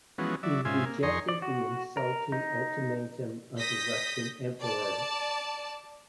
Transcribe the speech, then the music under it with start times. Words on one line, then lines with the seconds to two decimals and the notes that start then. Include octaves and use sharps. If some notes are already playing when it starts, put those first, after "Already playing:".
He rejected the insulting ultimatum of the Russian emperor.
0.18 E3 F3 G#3 B3 C#4 F#4
0.43 F#3 D5 E5
0.65 G#2 C#3 C4 F4 E5 G#5
0.85 A#3
1.03 F2 D#4 G#4 A#5 C6 C#6
1.29 D5
1.42 F#4
1.97 A#4
2.32 D#4
3.59 D#6 G6 A#6 B6
4.60 D5 A5